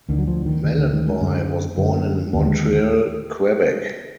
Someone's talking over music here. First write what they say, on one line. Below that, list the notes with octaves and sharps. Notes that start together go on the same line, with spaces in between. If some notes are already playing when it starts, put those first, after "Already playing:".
Mellanby was born in Montreal, Quebec.
D2 D3 D#3
F#3
F3
D#3
D2 D3 D#3
D3
D#3
G#3
F#2 D3 G#3
F#2 D3
D#2 D3 A#3
G#3